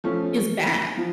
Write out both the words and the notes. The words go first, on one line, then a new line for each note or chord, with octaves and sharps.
is bad.
F3 A3 C#4
F3